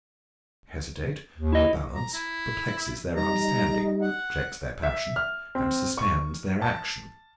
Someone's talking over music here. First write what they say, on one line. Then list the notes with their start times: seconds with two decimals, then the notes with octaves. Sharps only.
To hesitate or balance perplexes their understanding, checks their passion, and suspends their action.
1.38 D#2
1.52 E4 D#5
1.95 A#5
2.14 E4
3.17 G3 D#4 A#5
4.02 F#5
4.83 E5
5.16 F6
5.55 C4
5.97 C#6
6.62 A5